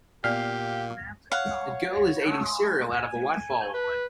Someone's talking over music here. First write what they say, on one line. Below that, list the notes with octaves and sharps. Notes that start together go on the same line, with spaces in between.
A girl is eating cereal out of a white bowl.
A#2 B3 G4 D5 F5
C#5 F5 F#5
G#5
B4